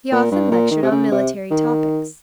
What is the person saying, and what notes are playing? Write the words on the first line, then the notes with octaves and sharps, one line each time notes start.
He often lectured on military topics.
A#2
G2
A#2
D#3
C3
C#3
C3
D#3